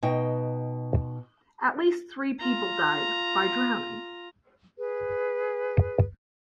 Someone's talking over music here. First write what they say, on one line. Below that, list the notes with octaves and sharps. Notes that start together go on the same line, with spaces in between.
At least three people died by drowning.
B2 D#4 G5
F4 A#5
G#4 B4